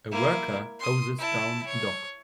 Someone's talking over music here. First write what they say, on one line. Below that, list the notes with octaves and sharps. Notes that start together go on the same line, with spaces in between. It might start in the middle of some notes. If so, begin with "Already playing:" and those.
A worker hoses down dock.
A#3 E4
C6 D#6
E4 A5
C#5